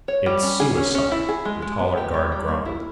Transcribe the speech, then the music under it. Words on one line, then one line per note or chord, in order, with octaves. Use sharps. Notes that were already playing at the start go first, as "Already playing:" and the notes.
"It's suicide," the taller guard grumbled.
C#5
G3
C#4
G#4
C#4
C#4
E4
G#4
G#3
G#3
B3
G4
G3
G3
A#3
E4